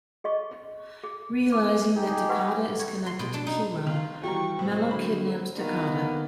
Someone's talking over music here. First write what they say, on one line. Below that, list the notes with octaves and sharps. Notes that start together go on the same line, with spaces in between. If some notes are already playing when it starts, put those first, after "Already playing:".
Realizing that Takada is connected to Kira, Mello kidnaps Takada.
G#4 D#5 C#6
G#4
E4 D6
D#4 G4 G#4
B4 F#5 C#6
C#5
C6
B2
D4
D#4
D#3 F4
E3 G3 F#4 G4 A#5 C#6
C2 A2 C4
D3 F#3 B5
D#3 A#3 B3